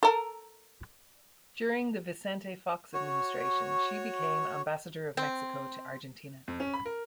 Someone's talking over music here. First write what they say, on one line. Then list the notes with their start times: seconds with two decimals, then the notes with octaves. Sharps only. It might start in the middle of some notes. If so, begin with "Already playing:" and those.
During the Vicente Fox administration she became ambassador of Mexico to Argentina.
0.03 A4 A#4
2.94 F#4 C#5
5.17 C4
6.48 F2
6.60 C#4
6.74 B5
6.86 A#4